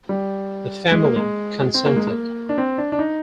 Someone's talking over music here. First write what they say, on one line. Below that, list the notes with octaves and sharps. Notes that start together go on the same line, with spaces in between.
The family consented.
G3
G#3
A#3
G#3
C4
A#3
G#3
A#3
D4
C4
D4
D4
D#4